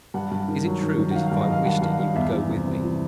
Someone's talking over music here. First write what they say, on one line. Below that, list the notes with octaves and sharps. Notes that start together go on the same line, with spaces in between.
"Is it true that if I wished it you would go with me?"
G2 F#5
G2
D#3
F#3
D#3
D#3
F#5
F#3 F5
F5
G2
D#5
G2 F5
G2 F#5
G2 F5
G2 F5
E2 E5
E3
C3
C3
E3